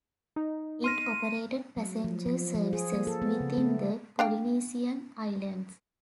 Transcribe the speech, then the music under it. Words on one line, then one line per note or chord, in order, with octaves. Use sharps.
It operated passenger services within the Polynesian islands.
D#4
C6 F6 A#6 D#7
F#3
F3
F3
F3
G#4
A#3
A4
B3
C#3
A3
D4 F5 G5